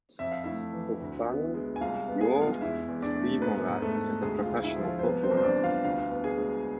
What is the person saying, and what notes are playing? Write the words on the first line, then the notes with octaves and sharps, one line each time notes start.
His son Jure Primorac is a professional footballer.
F2 E5
F5
A3 E4 E5
E3
D2
B3
G#3
G#5
C2 F4 F5
B3
G#4 G#5
G#3
F4 F5
E2 E4 E5
E2
D4 D5
A3
G#2 B3 B4
G#2
A3 A4
A3
D2 G#3 G#4
F4
D2
E4
F3
F4
C5
C2 B3 B4
C4 C5
C2
C5
D4 D5
E3
F4 F5
D2 F4 F5
B3
G#4 G#5
G#3